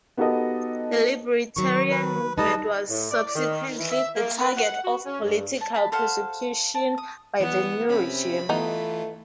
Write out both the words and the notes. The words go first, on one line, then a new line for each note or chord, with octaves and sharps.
The libertarian movement was subsequently the target of political persecution by the new regime.
B3 D#4 F#4 G4 A4 D#5
D#3 F#3 C#6
B4
G3 D#4 B4 D#5 A5
A2
D5
D#3
E3
E5
A#3
B4
F#5
F#4
C#4
G2
A5
A5 B5
A4 C5 F5 F#5
A5
D#6
E3 B3 F#5
C3 C4 C#4 B5
E3 A3 B3 D#4 F4